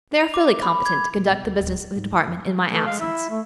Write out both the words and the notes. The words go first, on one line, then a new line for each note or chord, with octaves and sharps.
They are fully competent to conduct the business of the department in my absence.
F7
D6
B5
G#6
A#2
B1
D2
D1
F4
G#2
E4
F2
E3 A3
G#3 F5
E4 E5
A3